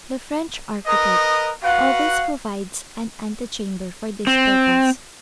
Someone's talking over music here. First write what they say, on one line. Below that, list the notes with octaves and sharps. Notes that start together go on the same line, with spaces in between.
The French architect always provides an antechamber for this purpose.
A#4 B4 D#5 D#6
F#4 B4 F5 F#5
C4